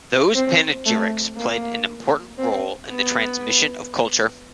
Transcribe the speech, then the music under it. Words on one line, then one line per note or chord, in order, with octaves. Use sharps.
Those panegyrics played an important role in the transmission of culture.
C4
A3
A#3
C4
B3